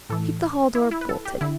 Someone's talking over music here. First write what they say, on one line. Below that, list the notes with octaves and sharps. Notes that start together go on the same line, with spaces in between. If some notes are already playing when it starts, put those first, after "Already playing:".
'Keep the hall-door bolted.
A2 E3 A4
E4
E4
B4
A4
G4
D3 E4